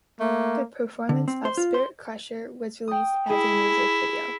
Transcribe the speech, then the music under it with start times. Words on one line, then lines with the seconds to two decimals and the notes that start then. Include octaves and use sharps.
The performance of "Spirit Crusher" was released as a music video.
0.20 A3 A#3
1.09 D3
1.28 C4
1.45 C5
1.57 F4
1.74 C5
2.88 G5 D#6
3.30 E4 G#4